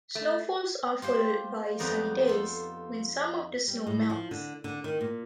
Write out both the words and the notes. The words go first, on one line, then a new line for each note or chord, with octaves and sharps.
Snowfalls are followed by sunny days, when some of the snow melts.
A3
F4 G4 C5
F2 B3 D#4 D5 A#5
F4 A4
G3
A2
F3
D3
D3
D#3
A#2